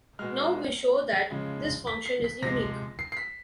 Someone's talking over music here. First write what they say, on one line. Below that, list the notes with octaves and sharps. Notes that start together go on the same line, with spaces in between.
Now we show that this function is unique.
B2 G#3 F6
C#3 F3 G#3
B6
C7
B6
C3 F3 G#3 A#6
C7
C7
B6